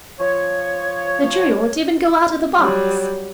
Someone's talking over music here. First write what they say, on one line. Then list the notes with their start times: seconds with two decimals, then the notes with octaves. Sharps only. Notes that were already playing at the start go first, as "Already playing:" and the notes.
"The jury won't even go out of the box."
0.20 F3 C#5
2.56 F#3 G3